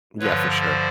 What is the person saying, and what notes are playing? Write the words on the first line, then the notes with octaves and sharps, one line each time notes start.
Yeah, for sure.
G2 D3 F3 B4 C#5
C5 D5